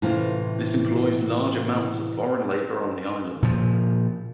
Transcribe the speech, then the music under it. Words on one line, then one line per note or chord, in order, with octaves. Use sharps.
This employs large amounts of foreign labor on the island.
A2 C3 E3 C#4 F4 C5
A#2 C#3 F3